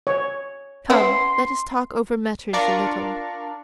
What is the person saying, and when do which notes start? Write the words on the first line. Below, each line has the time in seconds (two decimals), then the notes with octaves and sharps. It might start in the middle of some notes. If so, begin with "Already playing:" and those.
Come! let us talk over matters a little.
0.07 C#5
0.90 B3 C#4 E4 C6
2.53 D4 F4 A#4 D5 A#5 C#6